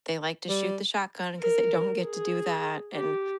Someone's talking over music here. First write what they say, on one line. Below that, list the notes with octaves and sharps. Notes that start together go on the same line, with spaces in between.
they like to shoot the shotgun 'cause they don't get to do that, and
G3
A#4
G#4
G4